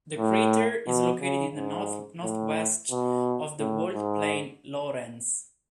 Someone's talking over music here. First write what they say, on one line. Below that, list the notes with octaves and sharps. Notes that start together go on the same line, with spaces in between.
This crater is located to the north-northwest of the walled plain Lorentz.
A2
B2
C#3
G#2
A2
B2
A2
G#2